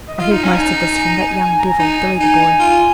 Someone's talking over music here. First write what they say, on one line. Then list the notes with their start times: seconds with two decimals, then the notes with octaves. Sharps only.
'I heard most of this from that young devil, Billy the Boy.
0.08 D#5
0.18 F4 F5
0.31 D#4
0.44 C#4 A#5
0.56 D#4 G#5
0.99 A#5
1.19 G#5
1.40 G#5
1.59 A#5
1.79 D#4 G#5
2.20 D#4
2.60 F4